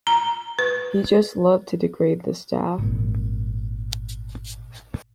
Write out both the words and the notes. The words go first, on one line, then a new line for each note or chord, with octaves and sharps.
He just loved to degrade the staff.
A#5
B4
G#1 A#2